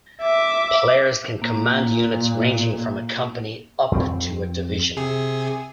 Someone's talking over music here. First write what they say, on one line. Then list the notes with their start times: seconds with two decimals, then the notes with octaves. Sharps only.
Players can command units ranging from a company up to a division.
0.22 E5 D6
1.42 A#2 A#3
3.92 F2 C4
4.97 C3 G#4